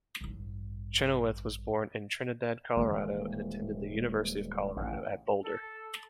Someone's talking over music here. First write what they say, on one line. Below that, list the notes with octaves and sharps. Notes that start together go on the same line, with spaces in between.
Chenoweth was born in Trinidad, Colorado, and attended the University of Colorado at Boulder.
A1 G2
D#1 E3 G#3 A#3
A1 A2 C#3
A4